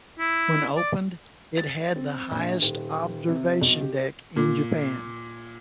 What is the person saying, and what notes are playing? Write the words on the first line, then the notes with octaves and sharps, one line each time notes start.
When opened, it had the highest observation deck in Japan.
E4
D5
A6
C4
A#1
D#1
C3
B1
G4
A#2